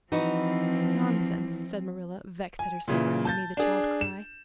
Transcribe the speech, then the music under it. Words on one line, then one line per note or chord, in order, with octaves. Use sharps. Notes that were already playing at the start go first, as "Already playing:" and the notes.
"Nonsense," said Marilla, vexed at herself for having made the child cry.
E3 F3 C4 D#4 F#4
G#5
A#2 C#3 E3
A5 G6 A6
D4 G#4
E7